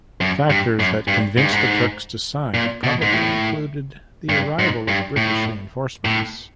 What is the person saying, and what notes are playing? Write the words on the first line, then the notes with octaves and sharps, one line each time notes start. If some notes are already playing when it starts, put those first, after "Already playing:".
Factors that convinced the Turks to sign probably included the arrival of British reinforcements.
F#2
G2
F#2
G2
G#2
G2
G#2
A#2
B2
G#2
A2
G2
G#2
G2
A2
A2